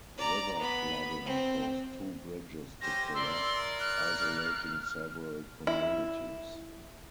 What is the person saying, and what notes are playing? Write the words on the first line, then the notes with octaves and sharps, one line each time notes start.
River flooding caused two bridges to collapse, isolating several communities.
D5 A#5
B3 B5
C4
C#4 G4 C5 A#6
E4 A#4 D5 C6 E6
F6 F#6
E4